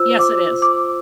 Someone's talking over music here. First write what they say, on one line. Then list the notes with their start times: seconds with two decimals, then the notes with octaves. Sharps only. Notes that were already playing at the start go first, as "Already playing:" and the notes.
Yes, it is,
Already playing: F4 C5 E6
0.19 D6
0.62 D6